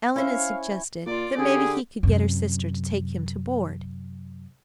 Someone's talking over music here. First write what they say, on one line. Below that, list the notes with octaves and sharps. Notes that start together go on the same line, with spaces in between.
Ellen had suggested that maybe he could get her sister to take him to board!
C#4 E4 C5 F5 G#5 C#6
A#2 F4 D5
D3 G4 G#4
F#2 C3